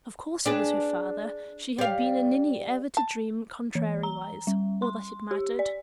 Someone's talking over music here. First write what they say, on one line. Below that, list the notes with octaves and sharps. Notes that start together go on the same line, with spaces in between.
Of course he was her father, she had been a ninny ever to dream contrariwise, or that it mattered.
D4 G#4 B4
G3 F5
A5
E3
A#5
G3
C6
G4
D5